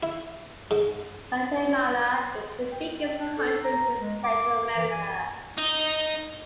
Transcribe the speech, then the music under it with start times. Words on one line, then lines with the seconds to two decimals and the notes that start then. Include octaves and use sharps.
Guatemala is the biggest country in Central America.
0.03 E4
0.71 G#2
2.72 G5
3.18 D4
3.38 A4
3.64 A#5
4.00 G#3
4.24 D6
4.76 E3
4.91 G#5
5.58 D#4 D#5